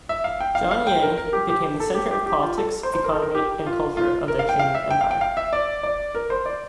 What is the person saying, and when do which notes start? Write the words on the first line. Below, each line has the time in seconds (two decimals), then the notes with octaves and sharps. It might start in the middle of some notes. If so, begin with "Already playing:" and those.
Xianyang became the centre of politics, economy and culture of the Qin empire.
0.09 E5
0.24 F5
0.40 G5
0.55 F5
0.71 F5
0.87 G5
1.02 A#4
1.18 A#4
1.33 G4
1.49 G4
1.80 A4
1.95 G4
2.11 G4
2.26 G4
2.42 F4
2.58 A4
2.83 C5
2.94 C5
3.04 A#4
3.13 A4
3.22 A#4
3.35 G4
3.67 F4
3.97 F4
4.28 A#4
4.39 F5
4.49 G5
4.59 F5
4.75 E5
4.91 G5
5.01 F5
5.11 G5
5.21 F5
5.37 E5
5.53 D5
5.83 D5
6.15 A#4
6.30 C5
6.46 D5